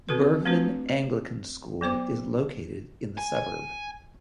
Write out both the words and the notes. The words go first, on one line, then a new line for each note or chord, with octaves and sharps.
Burgmann Anglican School is located in the suburb.
C4 F#4 A4 B4
A3 C4 D4 F#4 B4
F#3 B3 C5 D6
G#5